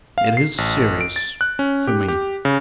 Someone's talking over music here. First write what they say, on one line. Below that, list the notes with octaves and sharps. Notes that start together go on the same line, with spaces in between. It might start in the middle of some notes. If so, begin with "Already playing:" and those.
"It is serious--for me."
F5
C7
A1
D7
A6
F#6
C#4
G4
G4
C#3